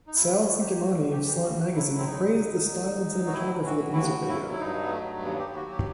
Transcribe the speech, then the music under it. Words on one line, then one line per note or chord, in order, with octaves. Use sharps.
Sal Cinquemani of "Slant Magazine" praised the style and cinematography of the music video.
D#4
D#2 E4
D#2 F#4
F#4
F#3 G4
E2 F#4
F#4
E2
G4
E3 G4
A2 F#4
F#3
E4
A2
C4
E2 D#4
E2
F#3
D#2
D#2
F#3
F#4
A2 E4
E3
F#4
A2
E4
D#2 F#4
D#2
E4
F#3
E4
G2 D#4
F#3 B3
A3
G2
A3
D#2 B3
G4
D#2
F#4
F#3 G4